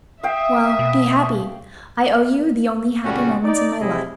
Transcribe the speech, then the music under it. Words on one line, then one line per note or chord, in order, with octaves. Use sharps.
Well, be happy; I owe you the only happy moments in my life.
E5 F5 G5 D#6
B2
A#2 C#3 G3 C#4 F#4
D#4 D5
C3 F#3 E4 G#4 D#5